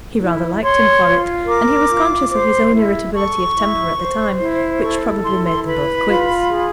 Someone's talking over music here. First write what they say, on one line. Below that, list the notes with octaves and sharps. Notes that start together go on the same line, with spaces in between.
He rather liked him for it; and he was conscious of his own irritability of temper at the time, which probably made them both quits.
E4
C#5 C6
F4
A#4 D6
F4
C5
E4
A4 C#6
E4
C5
E4
A4 C#6
E4 C6
C6
B4 B5
F4
G#4